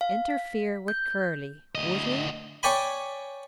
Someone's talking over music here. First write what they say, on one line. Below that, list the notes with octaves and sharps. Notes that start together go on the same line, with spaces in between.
Interfere with Curly, would he?
F5
B6
G6
D2 D#5
C#5 D5 G5 G#5 B5